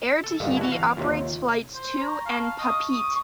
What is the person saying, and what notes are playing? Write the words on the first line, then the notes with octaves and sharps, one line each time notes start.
Air Tahiti operates flights to and Papeete.
A4
D2 G2 A#2 D#5 F5 F#5
E4 F#4 G4 A5
E3 C4 F5
D#2 C3 F4 C#5
C5
A#5 C#6
F5 A5
D#5 C#6
D#6